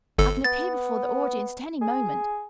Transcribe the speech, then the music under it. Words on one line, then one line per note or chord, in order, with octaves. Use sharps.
I can appear before the audience at any moment.
G1 A4
B3 A6
G#4